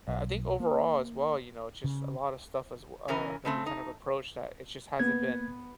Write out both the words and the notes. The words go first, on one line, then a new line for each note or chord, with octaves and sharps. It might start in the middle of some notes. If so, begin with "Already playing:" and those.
I I think overall, as well, you know, it's just a lotta stuff as w uh, that we, kind of approach that it just hasn't been
B1
A#3
C#3
C#3 E3 C#4 A#4
C#3 A3 C4
D#4
A#3 B3 G#6